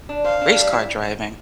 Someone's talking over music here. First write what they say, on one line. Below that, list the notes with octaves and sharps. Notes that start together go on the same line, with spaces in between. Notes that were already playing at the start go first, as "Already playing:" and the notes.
race car driving
D4
C5 F5
D4
G3
E4